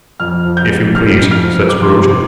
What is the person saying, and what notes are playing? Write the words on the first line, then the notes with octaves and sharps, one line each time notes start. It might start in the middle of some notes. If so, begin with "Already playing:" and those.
'If you please,' said Scrooge.
F2 F6
F3
G6
F2
C3 F6
F2
F6
F3
F2 D6
C6
C3 D6